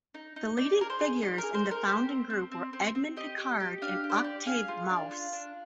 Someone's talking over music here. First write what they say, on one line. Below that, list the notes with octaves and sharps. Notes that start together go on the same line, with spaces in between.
The leading figures in the founding group were Edmond Picard and Octave Maus.
D#4
D#4
D#4 D5
G#4 A#4
C5
G#4
D#4 D5
A#4
G#4
C5
D#4
A#4
G4 C5
C4
C4
C4
C4
C4
G4 D#5
G4
G4
D4 F5
G4
C5
D5
G4
G#4 F5
F4
D4
F4
D4